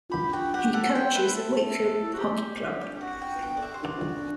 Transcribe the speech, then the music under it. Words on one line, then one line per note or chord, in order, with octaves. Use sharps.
He coaches at Wakefield Hockey Club.
G4 B5
F#4 G5
G4 F#5
A4 F#5
C5 G5
B4 E5
A4
F#4
G4
G4
F#4 F#5
G5
F#4 G5
D5
E5
C5
F#4 D5